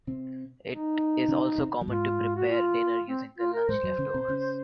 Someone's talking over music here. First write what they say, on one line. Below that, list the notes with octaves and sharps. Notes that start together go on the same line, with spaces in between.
It is also common to prepare dinner using the lunch leftovers.
C3 C4
D#4
C#3 C#4
C3 C4
F#3
G#2 G#3 F4
F#4
F4
C4
F4
A#4
G#2 G#3 C5
F#2 F#3
C#3 C#4
C3 C4
C#3 C#4